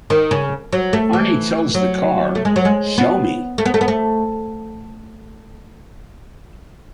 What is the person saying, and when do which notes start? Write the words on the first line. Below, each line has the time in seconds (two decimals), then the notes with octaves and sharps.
Arnie tells the car, Show me.
0.10 D#3
0.31 C#3
0.73 F#3
0.93 A3
1.13 E3
1.75 F#3
2.35 A3
2.45 G#3
2.56 F#3
2.65 G#3
2.98 B3
3.58 A3
3.65 B3
3.74 A3
3.81 B3
3.88 A3